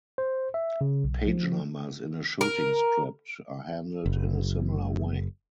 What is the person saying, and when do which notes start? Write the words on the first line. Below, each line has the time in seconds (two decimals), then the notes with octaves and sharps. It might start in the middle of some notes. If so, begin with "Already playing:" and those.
Page numbers in a shooting script are handled in a similar way.
0.18 C5
0.54 E5
0.81 C#3
1.04 B1
1.27 F3
2.41 A#4
4.06 F#1